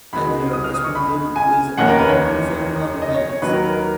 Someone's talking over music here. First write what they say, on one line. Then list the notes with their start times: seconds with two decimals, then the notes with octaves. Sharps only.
Adler responded with "I can't confirm nor deny it".
0.13 C#2 B2 G#3 B5
0.53 D#6
0.64 F6
0.74 D#6
0.84 C#6
0.95 B5
1.36 G#5
1.77 F1 D#2 D#3 A#3 C#4 F#5
1.88 A#4
1.98 B4
2.09 C#5
3.02 D#5
3.14 C#5
3.29 C#5
3.42 D#2 D#3 F#3 A#3 B4
3.53 A#4
3.63 B4
3.73 A#4